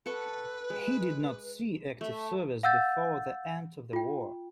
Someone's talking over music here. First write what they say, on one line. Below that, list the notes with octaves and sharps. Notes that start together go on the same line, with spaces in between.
He did not see active service before the end of the war.
A4 B4 F#5 C#6
G#3
A3 E5
F5 F#5 E6 G6 A6
F4 G5